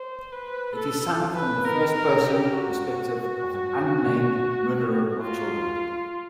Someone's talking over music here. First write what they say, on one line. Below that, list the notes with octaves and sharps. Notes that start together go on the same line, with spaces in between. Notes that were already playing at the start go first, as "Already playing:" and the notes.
It is sung from the first person perspective of an unnamed murderer of children.
Already playing: C5
B4
A4
B4
A#4
A#4
G4
F#4
F4